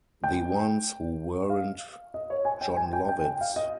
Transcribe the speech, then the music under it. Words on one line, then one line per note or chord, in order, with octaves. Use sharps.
The ones who weren't Jon Lovitz.
G5
F5
D#5
C#5
G#5
G5
G#5
G5
G5
G5
F5
D#5